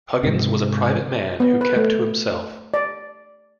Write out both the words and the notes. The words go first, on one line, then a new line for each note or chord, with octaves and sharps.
Huggins was a private man who kept to himself.
G#2 C3
B3
B4
A3
D5